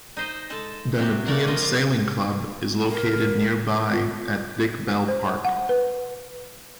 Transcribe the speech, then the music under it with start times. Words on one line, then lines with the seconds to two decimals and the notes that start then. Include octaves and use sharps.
The Nepean Sailing Club is located nearby at Dick Bell Park.
0.17 D#4 C5 D#5
0.50 G#3 A4 A5
0.98 C3 C4 F#4 G4
1.26 A3 A#3 A#4 D5 F#5
1.47 F3 A#3 F4 D#5
1.62 F4
2.90 A#4
3.93 F4
5.08 C5
5.45 F#5
5.69 B4